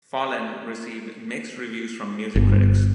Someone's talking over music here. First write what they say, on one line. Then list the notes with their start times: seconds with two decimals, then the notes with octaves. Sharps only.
"Fallen" received mixed reviews from music critics.
2.36 G1